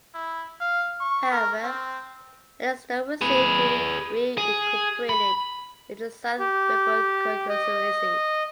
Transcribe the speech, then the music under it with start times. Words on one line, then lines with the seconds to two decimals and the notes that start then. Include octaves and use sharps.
However, Eccleston will soon be re-incorporated into the South Ribble constituency.
0.15 E4
0.60 F5
1.00 C#6
1.32 A#4
1.64 C4
3.21 G#4 B4
4.38 G#4
5.09 B5
6.39 G4
7.49 D#5